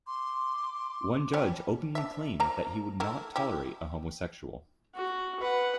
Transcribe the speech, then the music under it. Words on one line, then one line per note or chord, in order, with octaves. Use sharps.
One judge openly claimed that he "would not tolerate a homosexual".
C6 D6
F3 G3 C#4
D4 E5
F3 A#3 A#5
A3 E4 A#4
E4 G4
F#4
B4 F#5